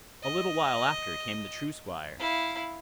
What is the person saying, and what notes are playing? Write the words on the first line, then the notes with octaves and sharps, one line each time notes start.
A little while after came the true Squire.
D#5
E4 F5